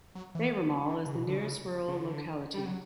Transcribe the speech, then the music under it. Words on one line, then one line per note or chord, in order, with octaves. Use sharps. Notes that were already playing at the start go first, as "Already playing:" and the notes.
Bayramaul is the nearest rural locality.
F#3
E3
D3
C#3
B2
D3
C#3
C#3
D3
G3
F#3